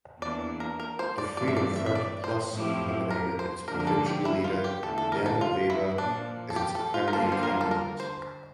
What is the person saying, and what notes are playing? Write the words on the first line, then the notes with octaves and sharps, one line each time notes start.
The Freedom Front Plus nominated its provincial leader Werner Weber as its premier candidate.
E2 E3 A#3 D4 D5
A#4
A#4
C5
D5
G2 E3 A3 C4 D5
E5
D5
E5
E5
D5
C5
A2 F3 C4 E4 G4
A#4
C5
D3 F3 A#3 D4 A#4
A#4
A4
G4
E4
F4
G4
E2 D3 A3 E4 A4
A4
A#4
A4
F4
E4
A#2 F3 A#3 D4
A4
G4
A4
F4
A#4
D3 G3 A#3 F4 A4
C5
A#4
A4
A#4
C5